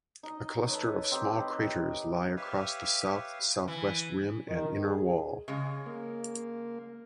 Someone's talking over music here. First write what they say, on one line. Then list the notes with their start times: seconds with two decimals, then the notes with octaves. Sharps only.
A cluster of small craters lie across the south-southwest rim and inner wall.
0.23 D#4 D#5
0.69 A4 B4 C#5 D#5
1.11 C4 D#4 G4
1.40 B4 D#5
2.37 G4 B4 C#5 E5 F5
3.68 E3
4.48 D#3
4.81 G#4
5.48 C#3 G#3
5.86 A#3